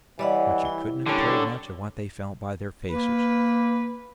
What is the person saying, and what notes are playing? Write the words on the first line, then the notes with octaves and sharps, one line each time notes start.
But you couldn't have told much of what they felt by their faces.
E3 G3 C#5 D#5 F#5
E4
D3 G3 A#3 C#4
A#3 B4